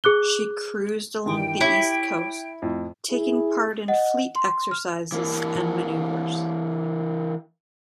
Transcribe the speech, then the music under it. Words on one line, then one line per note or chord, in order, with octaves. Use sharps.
She cruised along the east coast, taking part in fleet exercises and maneuvers.
G#4 D6 F#6 G7
G2 D#3 E3 G5
E4 G4 C#5
F2 A2
E4 G#4
D#5 F#5
C6
F6
E3 A#3